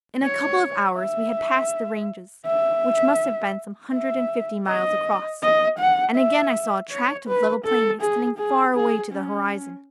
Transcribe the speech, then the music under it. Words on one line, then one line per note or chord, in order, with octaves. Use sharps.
In a couple of hours we had passed the ranges, which must have been some hundred and fifty miles across, and again I saw a tract of level plain extending far away to the horizon.
C#5
E5
E5
E5
D#5
D#5
F#5
E5
C#5
B4
A4
G#4
G#4
G#4
C#4